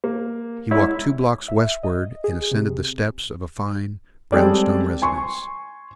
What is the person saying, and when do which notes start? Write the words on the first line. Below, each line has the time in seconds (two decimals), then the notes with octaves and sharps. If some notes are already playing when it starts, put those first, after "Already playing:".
He walked two blocks westward and ascended the steps of a fine brown-stone residence.
0.04 A#3
0.71 G#1 G#2 E4 C#5
1.48 E5
1.83 D#5
2.24 G#4
2.51 C3
4.32 G3 G#3 C4 G#4 A4 D5
5.02 G#5 C6 C#6